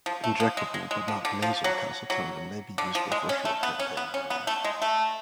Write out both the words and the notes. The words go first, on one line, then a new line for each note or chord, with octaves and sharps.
Injectable but not nasal calcitonin may be useful for short term pain relief.
F3
A3
F3
G#3
G#3
G#3
F3
D3
F3
F#3
F#3
D3
F3
G#3
C#4
A3
B3
C#4
B3
C#4
B3
A3
G#3
A3